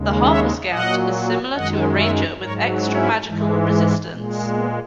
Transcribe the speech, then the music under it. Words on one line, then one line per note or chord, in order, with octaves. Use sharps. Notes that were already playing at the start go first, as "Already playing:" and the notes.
The Harper Scout is similar to a Ranger with extra magical resistance.
Already playing: D#2 C#3 G#3
C#5 E5
A#2 F#3 D#5 F#5
F#2 D#3 G#3 D#5 F#5
C#5 E5
G#2 F#3 A#4 C#5
C#4 E4
G#2 E3 G#3
A#2 G#3
B3